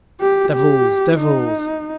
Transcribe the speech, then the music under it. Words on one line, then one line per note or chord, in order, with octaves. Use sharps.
Devils! Devils!
G4
G4
D#4